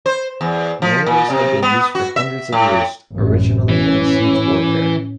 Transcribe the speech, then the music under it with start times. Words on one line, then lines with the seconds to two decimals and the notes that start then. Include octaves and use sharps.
Mortars have been used for hundreds of years, originally in siege warfare.
0.06 C5
0.41 E2
0.82 F3
1.06 A#2
1.30 C3
1.62 B3
1.95 F#4
2.16 E5
2.52 A2
3.14 A1 F#2 A2
3.69 A2 E3 C#4